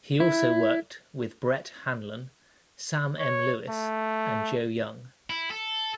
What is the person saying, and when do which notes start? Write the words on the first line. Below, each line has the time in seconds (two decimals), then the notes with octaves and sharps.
He also worked with Bret Hanlon, Sam M. Lewis, and Joe Young.
0.20 E4
3.20 C#5
3.70 A3
5.30 E4
5.51 A4